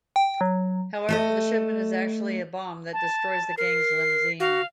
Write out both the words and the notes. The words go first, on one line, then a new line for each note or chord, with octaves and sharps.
However, the shipment is actually a bomb that destroys the gang's limousine.
G5
F#3
A3 A4 D#5
A5
A#4 C7
F#4 F5